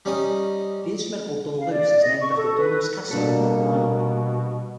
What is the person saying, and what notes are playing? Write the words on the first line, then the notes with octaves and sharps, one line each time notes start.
The instrumental "Dunluce" is named after Dunluce Castle in Northern Ireland.
G3 C#4 D#4 D#6
F5
D5
D#5
C#6
A4
B4
B2 G3 A#3 D4 A4